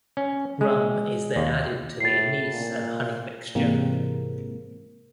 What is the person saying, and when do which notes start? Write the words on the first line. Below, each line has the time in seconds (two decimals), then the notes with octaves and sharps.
Rum is then added to the anise and honey mixture.
0.17 C#4
0.61 G#3
1.36 D#2
2.00 A2 A6 C7
2.53 A#2
3.55 G#2 C3 E3 G#3 A#3 C4